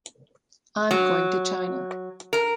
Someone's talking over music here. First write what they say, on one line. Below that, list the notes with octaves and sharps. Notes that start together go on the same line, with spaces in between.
I’m going to China.
F#3
A#4